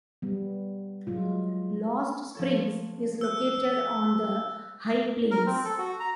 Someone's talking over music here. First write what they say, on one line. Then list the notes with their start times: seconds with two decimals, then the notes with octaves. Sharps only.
Lost Springs is located on the High Plains.
0.22 G3 B3
1.07 F#3 G#3 F4
2.35 F3 A4 C#5
3.21 E6 F#6
5.31 A#4
5.46 C4
5.65 A4
5.78 F#4
6.00 A#5